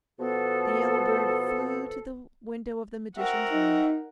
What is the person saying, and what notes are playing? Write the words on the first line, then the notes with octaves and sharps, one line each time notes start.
The yellow bird flew to the window of the magician's room.
B2 F3 B3 A4
C4 F#4 A#4 E5 F#5
D#4